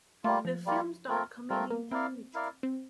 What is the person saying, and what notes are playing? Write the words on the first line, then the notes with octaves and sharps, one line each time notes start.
The film starred comedian Kel Mitchell.
G3 A3 A#3 F4
F3
G3 A#3 F4
A3 C4 F4 A#4
G3 A3 C4 F4 A#4
A#3
C4 E4 A#4 D5 F5
E4 A#4 D5 F5
C4